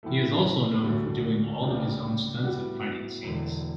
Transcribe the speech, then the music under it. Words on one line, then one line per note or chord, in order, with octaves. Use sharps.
He is also known for doing all of his own stunts and fighting scenes.
A2 E3 A3
D2 D3 G3
C#2 C#3 G3 D4 G4
A2 G3 B3 F#4
E1 E2 D3